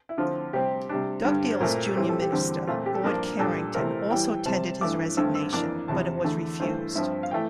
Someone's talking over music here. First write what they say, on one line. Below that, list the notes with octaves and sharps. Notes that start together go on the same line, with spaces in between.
Dugdale's junior minister, Lord Carrington, also tendered his resignation, but it was refused.
E4
D3 F3 C4 F4
C3 G3 C4 G4
C3 G3 D4
G2 D3 G3
C5
A#2 A3 C4 A#4
A2 E3 G3 C4 G4
A4
G4
E2 D3 G3 C4
A#2 A3 C4 F4
G4
A4
G2 F3 A#3 D4 A#4
A#2 G3 D4 A4
C3 E3 A3 C4 A#4
A2 E3 G3 G5
C3 G3 C4 A5
G2 E3 A3 D6
G2 D3 A3 C4 E6
E6
F2 E3 A#3 D4 D6
E2 C3 F3 A5
E2 D3 A3
G2 E3 A3 C5
G2 F3 C4 E5
F5
E3 A3 G5